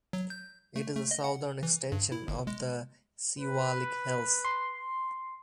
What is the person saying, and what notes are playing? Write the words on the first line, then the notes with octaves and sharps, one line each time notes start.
It is a southern extension of the Siwalik Hills.
F#3
G6
A3
A3
D#5
F#5
E3
G2
E4
G1
G#3
B4
C6